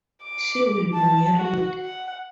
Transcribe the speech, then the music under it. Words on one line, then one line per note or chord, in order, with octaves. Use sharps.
She will be married!
D6
A5
F#4
F#5